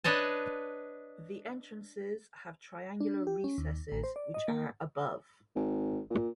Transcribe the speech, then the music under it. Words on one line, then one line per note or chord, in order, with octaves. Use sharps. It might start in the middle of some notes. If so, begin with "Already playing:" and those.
The entrances have triangular recesses which are above.
D4 B4 C#5 D#5 A5
D4
G4
C#4
D#2
A1
C5
D5
D#5
A#3
G#1
A#2